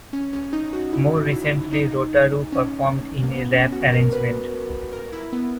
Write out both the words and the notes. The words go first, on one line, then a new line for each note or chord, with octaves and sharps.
More recently Rotaru performed in a rap arrangement.
C#4
C#4
D#4
F#4
E4
E4
D#4
C#4
A#3
B3
C#4
F#4
A#4
B4
A#4
E4
B3